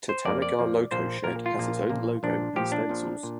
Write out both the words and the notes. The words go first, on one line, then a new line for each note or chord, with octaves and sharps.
Tatanagar loco shed has its own logo and stencils.
C5
F2 F3 A#3 D5
D5
F2 F3 A#3
A#1 A#2 A#3 C5
A#1 A#2 A#3 A#4
F4
A#1 A#2 A#3
A#1 A#2 A#3
A#1 A#2 F3 D4
A#1 A#2 F3 G4
D4
A#1 A#2 F3
A#2